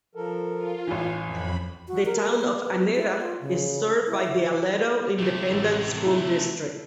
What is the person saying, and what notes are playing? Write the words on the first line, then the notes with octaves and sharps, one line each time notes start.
The Town of Annetta is served by the Aledo Independent School District.
F3 A4 A#4
F4
A1 E3 G#5
F2 B5
F#4
A#4
B3
E4
F4
C#3
E4
C3 A3
A1
E4